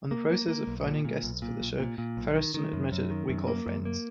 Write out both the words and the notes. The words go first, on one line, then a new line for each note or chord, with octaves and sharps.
On the process of finding guests for the show, Feresten admitted: We call friends.
A#3
A#3
A#3
B1
A#2
A#2
B1
A#2
B1
A#2
A#2
B1
D#3
D#3
F#2
F#2
D#3
F#2
A#3
F#2
A#3